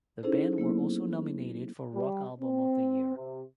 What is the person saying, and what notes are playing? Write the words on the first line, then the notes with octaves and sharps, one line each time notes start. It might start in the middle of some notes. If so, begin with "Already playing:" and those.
The band were also nominated for Rock Album of the Year.
C#4 D#4 E4 G#4 A4 C5
F#3 A#3 B3 E4
G3
C4
C3